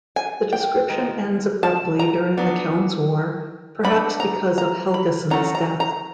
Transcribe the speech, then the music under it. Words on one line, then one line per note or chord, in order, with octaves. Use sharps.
The description ends abruptly during the Count's War, perhaps because of Helgesen's death.
G#5
G5
D#3 G#3
A5
A#5
F#3 B3 D4
G#3 B3 D4 B5
A#5
A#5
B5
F#3 A3 C#4 A#5
A#5
A#5